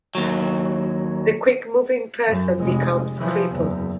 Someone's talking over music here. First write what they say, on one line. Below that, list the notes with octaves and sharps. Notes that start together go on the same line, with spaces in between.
The quick moving person becomes crippled.
D#2 F#3
F#2
F1 G#3
E3 F3
F#1 E2